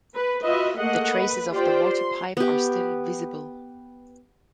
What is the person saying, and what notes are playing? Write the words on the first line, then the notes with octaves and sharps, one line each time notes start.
The traces of the water pipe are still visible.
B4
F4 F#4 B4 D#5 E5
A3 A#3 G#4 D#5 F#5
B4
F4 G4 C5 D5 G5
C6
B3 G4